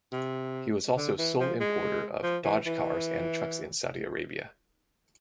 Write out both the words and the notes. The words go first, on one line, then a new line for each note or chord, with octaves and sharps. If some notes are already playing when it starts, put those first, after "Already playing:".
He was also sole importer of Dodge cars and trucks in Saudi Arabia.
C3
D3
E3
F3
G#3
F3
E3
E3